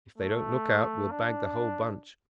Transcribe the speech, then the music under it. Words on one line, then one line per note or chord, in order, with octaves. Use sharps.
If they don't look out we'll bag the whole bunch.
A3
D4